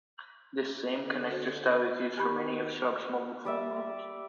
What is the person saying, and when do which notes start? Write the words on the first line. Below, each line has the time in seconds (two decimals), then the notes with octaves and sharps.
This same connector style is used for many of Sharp's mobile phone models.
0.95 D3
1.31 F#4 C5
1.66 D#5 E5 F#5 A#6
2.17 D#3 G4 G#5 B5 C#6
3.45 G3 D5 E5